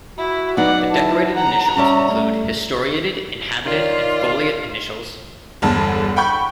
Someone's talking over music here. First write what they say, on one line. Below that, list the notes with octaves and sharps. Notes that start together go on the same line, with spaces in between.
The decorated initials include historiated, inhabited, and foliate initials.
E4 F#4
F#3 B3 D#4 D5 F#5
E4 A5
F#5 A#5
G3 C#4 D5 E5
A3
D#3 F4 C#5 D5
G1 E2 G2 D3 A5
F#5 G5 B5 C#6 G6